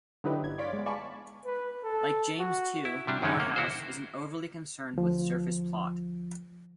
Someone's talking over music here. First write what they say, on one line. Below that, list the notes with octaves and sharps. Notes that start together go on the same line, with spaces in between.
Like James, too, Moorhouse isn't overly concerned with surface plot.
D3 F#3 D#4 E4 G4 B4
G1 G#6
C#5 D5 F5 C6 D6 B6
G#3 B3
D5 F5 G#5 A5 B5 C#6
B4
A4
F#4
E4
C3 G3 D4
F#2 D#3 E3 G#3 C#4 D#4
A#3
E4 F#4 C5
D2 F3